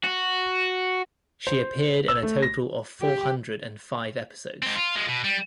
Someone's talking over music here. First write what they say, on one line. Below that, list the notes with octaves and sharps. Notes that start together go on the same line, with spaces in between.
She appeared in a total of four hundred and five episodes.
F#4
C5
E6
A3
A#6
G4
G#2 C4
F4
F3 G#3
B2
G3